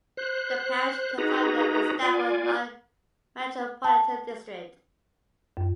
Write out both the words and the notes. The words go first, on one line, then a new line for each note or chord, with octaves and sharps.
The parish comes under the Stafford Non-Metropolitan District.
C5 F#6
D#4 F#4 G#4 B4 A#5
F4 D5 G#5
A5
F#2